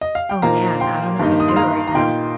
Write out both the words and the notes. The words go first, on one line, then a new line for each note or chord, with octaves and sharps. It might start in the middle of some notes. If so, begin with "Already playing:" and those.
Oh, man, I don't know if I could do it right now.
D#5
F5
G5
A#2 F3 A#3 D#4 F5 A#5
G5 C6
G2 D#3 A#3 D#4
D#6
C6
F5 A#5
A#5
A#2 A#3 D#4 G5 C6